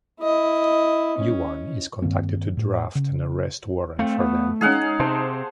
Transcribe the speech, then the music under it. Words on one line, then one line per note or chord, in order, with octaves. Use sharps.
Yuan is contacted to draft an arrest warrant for them.
E4 D#5
C#4
G2 D#3 A#3 C4
A2
C#3
A3 C4 F5
B3
G#3 C#4 D#4 G#4 F5 F#5
C3 C5 A5